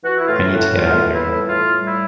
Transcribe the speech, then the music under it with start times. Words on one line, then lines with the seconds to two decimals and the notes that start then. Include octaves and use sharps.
I need to get out of here!
0.04 E3 F#4
0.18 E4
0.28 A2 F4
0.52 A2 F#4
0.76 G3 F4
1.01 E3
1.14 E4
1.26 A2
1.49 A2 F4
1.74 G3
1.86 E4